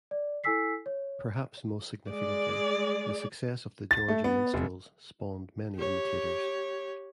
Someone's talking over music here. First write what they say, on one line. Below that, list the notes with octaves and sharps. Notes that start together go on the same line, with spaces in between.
Perhaps most significantly, the success of the Georgia Minstrels spawned many imitators.
D5
E4 A4 G#5 E6 B6 C7
C#5
G#3 G#4 D5
A6
A3
B3
F1
G4 C#5